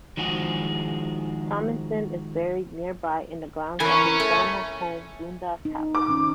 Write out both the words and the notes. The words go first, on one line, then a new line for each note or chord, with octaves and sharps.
Tomison is buried nearby in the grounds of his former home, Dundas House.
D#3 F3 G#3 F#4 G#4
E3 A#4 C#5 G#5
A3
D#4
D6
D#3 C#4